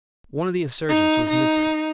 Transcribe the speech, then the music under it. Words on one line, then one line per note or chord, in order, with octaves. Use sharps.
One of the insurgents was missing.
D#4
D#4